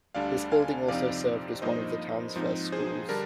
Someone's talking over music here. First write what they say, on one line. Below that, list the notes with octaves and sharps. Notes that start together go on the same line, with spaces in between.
This building also served as one of the town's first schools.
D2 D3 G3 D4 D5 F5
F5 G#5
F2 C3 F3 C4 D#4 D5 F5
G2 F3 A#3 D#4 C5 D#5
G#2 F3 C4 D#4
G#4 C5
D3 G3 D4 A#4